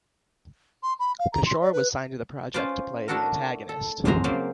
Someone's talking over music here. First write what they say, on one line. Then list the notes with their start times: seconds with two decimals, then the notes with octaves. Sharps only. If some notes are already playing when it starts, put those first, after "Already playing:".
Kishore was signed to the project to play the antagonist.
0.83 C6
0.99 B5
1.19 F5
1.33 A#5
1.46 C6
1.61 D5
1.73 B4
2.54 C#4 F4 B4 C5 D5
3.08 A3 D4 E4 F#4 A4 A#4
3.69 A4
4.05 F2 F#3 G#3 C5 G#5 A#5
4.24 C#3 F#3 A#3 C5 D5 G#5